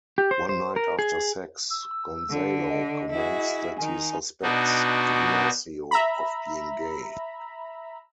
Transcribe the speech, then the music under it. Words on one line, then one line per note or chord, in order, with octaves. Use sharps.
One night after sex, Gonzalo comments that he suspects Ignacio of being gay.
G4
C5
C5
A#4
G#4
E6
D3
D#5
E4 F#4 G#4
D#3 D#4 G#5
B2 D4 D#4 F#4
E5 A#5 B5